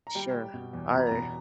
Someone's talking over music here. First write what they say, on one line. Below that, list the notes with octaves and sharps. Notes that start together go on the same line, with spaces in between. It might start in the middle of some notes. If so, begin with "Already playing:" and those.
Sure, I
A#5
G3 G5
G3
B2
E2
B2 A#5
B5
B2 A#5